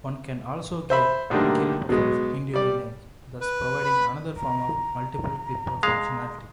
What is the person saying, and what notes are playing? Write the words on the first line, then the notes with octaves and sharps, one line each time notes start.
One can also give kill-buffers individual names, thus providing another form of multiple-clipboard functionality.
C5 E5 B5
B1 D3 D#3 G3 A3 A#3
B2 F#3 G#3
G3 D5
B4
B5
A#5
G#3 F5